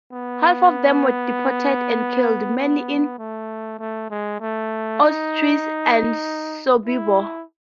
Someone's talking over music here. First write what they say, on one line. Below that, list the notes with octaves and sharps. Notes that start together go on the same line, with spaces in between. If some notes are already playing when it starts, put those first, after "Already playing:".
Half of them were deported and killed, mainly in Auschwitz and Sobibor.
B3
B3
A3
A3
G#3
A3
D#4
E4